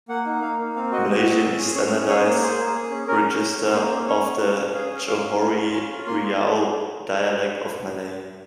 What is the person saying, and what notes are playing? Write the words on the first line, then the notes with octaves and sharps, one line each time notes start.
Malaysian is a standardised register of the Johore-Riau dialect of Malay.
A#3 F#5
D#4
A#3 F5
A#3
C4 F5
F#4 D#5
F#4 D#5
C4
C#4
G#4
C#4 C#5
C#4
G#4 C#5
A#3
G#4 C5
A#3
G#4
C#4
C#4 A#4
C#4
C#4
C#4
A#3 C5
C#4
C#4 C#5
C#4
C#4
C#4
G#4 F5
C#4
C#4 F5
C#4
C#4
F4
C#4 G#5
F4
A#3 C6
G#4